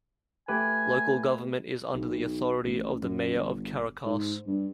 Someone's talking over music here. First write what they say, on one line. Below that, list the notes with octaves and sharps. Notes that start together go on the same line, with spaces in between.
Local government is under the authority of the mayor of Caracas.
A3 G4 B4 G#5
B1
A1
F#2
G1
G#2
G2